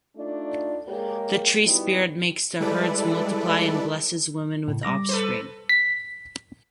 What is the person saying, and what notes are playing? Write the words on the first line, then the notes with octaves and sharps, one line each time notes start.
The tree-spirit makes the herds multiply and blesses women with offspring.
A3 D4 D#4 F4 D5
G#3 A#3 G4 G#4 A#4 C#5
G3 B3 D#4 E4 F#4 G4
G3 G#3 E4 A4 B4 D5
A2 C#3
G3 D6 A#6
A4 B4 C5
B6